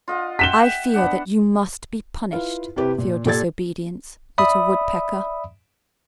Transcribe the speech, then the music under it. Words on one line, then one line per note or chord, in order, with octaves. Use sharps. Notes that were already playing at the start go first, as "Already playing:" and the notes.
I fear that you must be punished for your disobedience, little Woodpecker.
F4 D#5 F#5
E5 F#5 G5 B6 E7 G7
B3 D4 F#5
E4 F4 B4 F5
C3 E4 G4 B4
A#2
A#2 G4 A4 D5 G#6 A6
D5 E5 B5 D#6